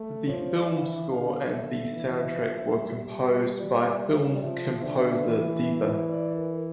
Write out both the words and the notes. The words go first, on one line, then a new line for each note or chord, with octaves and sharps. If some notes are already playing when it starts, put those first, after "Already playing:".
The film score and the soundtrack were composed by film composer Deva.
Already playing: A3
F3 C#5
D5
E3
F5
E5
D3 F5
D3 E5
E3
F3
G3
D5
E5
F5
C#5
D5
F3 E5
D3
E3
D5
A#4
A#4